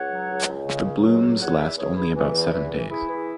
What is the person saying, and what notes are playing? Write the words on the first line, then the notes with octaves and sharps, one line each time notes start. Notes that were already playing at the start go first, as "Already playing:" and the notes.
The blooms last only about seven days.
Already playing: C#2 C#5 F#5
F#3
C#2
C#2
C#3
C#2
F#3
C#2
E2 C#5 F#5
E3 B4 E5
E3 G#4 C#5
E2 E4 G#4
E3
E2
E3
E3
E3 E4 G#4
E3